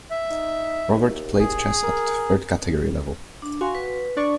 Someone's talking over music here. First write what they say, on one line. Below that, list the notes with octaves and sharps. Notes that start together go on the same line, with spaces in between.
Rogard played chess at third category level.
E5
D#4
D#2
G#4
A#4
D4
F#4 F5 G#5 C6
B4
D4 D5 C#6